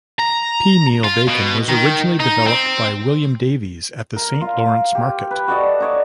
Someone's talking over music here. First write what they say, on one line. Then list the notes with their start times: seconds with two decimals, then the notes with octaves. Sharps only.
Peameal bacon was originally developed by William Davies at the Saint Lawrence Market.
0.19 A#5
1.04 F4
1.29 B2
1.69 D#3
2.20 D#4
2.47 C4
4.16 A#4
4.41 F4
4.95 G4
5.31 B4
5.48 F#4 A4 D5 D#5
5.80 D#4 C#5 D5